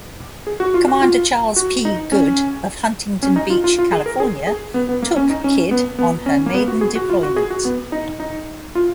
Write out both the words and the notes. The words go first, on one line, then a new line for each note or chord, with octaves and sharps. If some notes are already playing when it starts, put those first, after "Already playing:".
Commander Charles P. Good of Huntington Beach, California, took "Kidd" on her maiden deployment.
G#4
F#4
F4
F#4
F4
F#4
D#4
C#4
C#4
D#4
F4
F4
F4
G#4
A#4
G#4
G#4
B3
B3
A#3
C#4
D#4
C#4
B3
B3
C#4
A#3
B3
F#4
G#4
F#4
F4
F#4
G#4
F#4
B3
D#4
D#4
F4